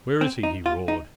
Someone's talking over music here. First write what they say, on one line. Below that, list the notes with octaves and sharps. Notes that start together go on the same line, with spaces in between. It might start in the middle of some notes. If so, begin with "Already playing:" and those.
"Where is he?" he roared.
C4
D#4
F4
D#4